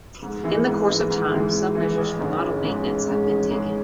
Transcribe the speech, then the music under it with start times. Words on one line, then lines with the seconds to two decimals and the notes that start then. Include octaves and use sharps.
In the course of time some measures for model maintenance have been taken.
0.22 G#2
0.44 E3 G#3
0.66 G#2
0.87 E3 G#3
1.10 G#2
1.31 E3 G#3
1.53 G#2
1.75 E3 G#3
1.98 A1
2.19 G#2 G#3 C#4
2.41 A1
2.63 G#2 G#3 C#4
2.84 A1
3.07 G#2 G#3 C#4
3.29 A1
3.51 G#2 G#3 C#4